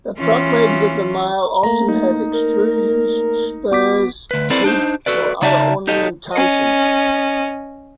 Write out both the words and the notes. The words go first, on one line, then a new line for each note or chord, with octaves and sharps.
The front legs of the male often have extrusions, spurs, teeth, or other ornamentation.
E3 C#4 F4
A3 A#3 A#5
D#4
A#4
B3 F#4 D6 B6
D2 B4
C4 E4 A4 B4 C5 D5
D4 D#4 C5
F#4 A4 B4 D5
C#3 D#4 D5 E5 A5
D#4 G4 A4 D#5
C#4 D#5